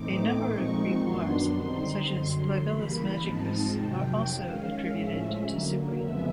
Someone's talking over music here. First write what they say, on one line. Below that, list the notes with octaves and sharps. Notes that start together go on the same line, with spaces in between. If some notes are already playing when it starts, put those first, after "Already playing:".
A number of grimoires, such as "Libellus Magicus" are also attributed to Cyprian.
Already playing: A2 E3 A3 C4 D#4 D6
A#2 F3 G#3 C4 D#4 C#6
F#2 D#3 F#3 B3 D4 C6
D3 G3 C4 D#4
F#2 D3 F#3
C#3 E3 G3 A#3 B5
G#2 F3 G#3 C4 D#4 A5
F2 C3 D#3 F#3 G5
D#3 G#3 C#4 F5
A2 F3 G#3 C#4 E5
D3 F#3 A#3
F2 C#3 F3 G#3 B3 E5